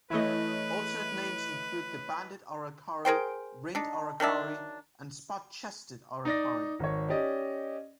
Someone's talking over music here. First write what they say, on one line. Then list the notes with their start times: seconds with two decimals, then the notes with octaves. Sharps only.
Alternate names include the banded aracari, ringed aracari and spot-chested aracari.
0.10 E3 A3 E4 B4 C#5 D#5
3.05 G#4 A#4 C5 G5
3.75 D4 D#4
4.20 D#3 F#3 D4 E5
6.25 D#4 D5 A#6
6.79 G#1 C#5
7.09 C#4 G4 D5 D#5